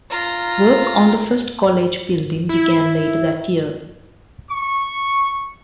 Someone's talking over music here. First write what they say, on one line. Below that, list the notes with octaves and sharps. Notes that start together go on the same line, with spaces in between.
Work on the first college building began later that year.
F4 A#5
E4
C#6